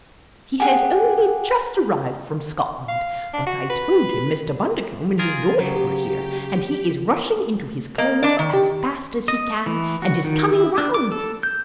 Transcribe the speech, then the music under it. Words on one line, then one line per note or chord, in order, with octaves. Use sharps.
He has only just arrived from Scotland; but I told him Mr. Bundercombe and his daughter were here, and he is rushing into his clothes as fast as he can and is coming round.
G4 G#4 F#5 G#5
F5
D4
F#4
B4
F4 G#4 A#4
C#3 F#3 G4
A#3 D#5
D4 D5
D#3
G4
D#5
E3
F#4
D#3
E4
D4
D6
A4
G6